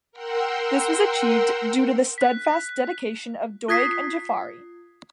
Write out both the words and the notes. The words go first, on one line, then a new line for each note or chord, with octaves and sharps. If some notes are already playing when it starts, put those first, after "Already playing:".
This was achieved due to the steadfast dedication of Doig and Jaffari.
A#4 F#5 G5 C6 E6
F#6 B6
F4 D#6 G#6 B6 C7